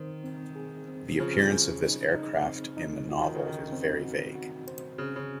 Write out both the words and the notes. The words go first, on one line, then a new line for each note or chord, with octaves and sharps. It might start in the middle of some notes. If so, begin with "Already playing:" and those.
The appearance of this aircraft in the novel is very vague.
Already playing: D#3 C4 D#4 C5
C4
G#4
C4
C#3 F3 G#4
G#4
D#4
D#4
C4
D#4
F3 F#4
D#3
C#3
D#5
D#3
C4
F#4
F#4
C5
C#3 C4
C#3